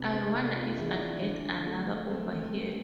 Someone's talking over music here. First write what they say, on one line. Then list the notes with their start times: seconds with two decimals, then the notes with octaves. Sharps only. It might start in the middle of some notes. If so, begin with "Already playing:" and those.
I wonder if I'll get another over here.
Already playing: C3 B3 C4 D4
0.11 C4
0.33 C3 D4
0.55 F4
0.71 D4
0.77 E2 E4
0.89 E4
0.99 D4
1.22 D3
1.67 A3
2.10 A3 C4
2.56 A3